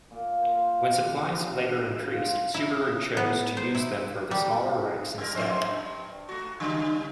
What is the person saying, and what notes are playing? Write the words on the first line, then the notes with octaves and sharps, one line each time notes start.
When supplies later increased, Subaru chose to use them for the smaller Rex instead.
A#2
C5
F5
G4
D4
F#4
F4
E4
B3
C5
E4
G3
B2 A#4
F2 C5
G2
A3 F#4
C#3 G3 D#4